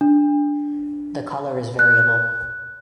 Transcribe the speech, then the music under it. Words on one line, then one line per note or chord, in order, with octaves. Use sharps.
The colour is variable.
D4
F#6